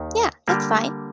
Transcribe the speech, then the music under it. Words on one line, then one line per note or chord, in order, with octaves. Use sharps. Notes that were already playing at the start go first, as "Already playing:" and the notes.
Yeah, that's fine.
Already playing: D#2 D#3
D3 G3 A#3